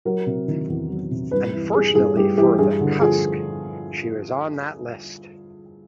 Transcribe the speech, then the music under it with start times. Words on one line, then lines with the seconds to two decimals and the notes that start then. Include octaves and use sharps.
Unfortunately for the "Cusk", she was on that list.
0.05 F#3 A#4
0.26 C3
0.48 D#3
0.69 E2
0.89 F#3
1.11 C3
1.31 G2 B4
1.53 E3
1.74 G3 G#4
1.95 G2 G#4
2.16 G2 G4
2.37 E3 G4
2.59 G2 G#4
2.80 D3
3.01 F3 G#4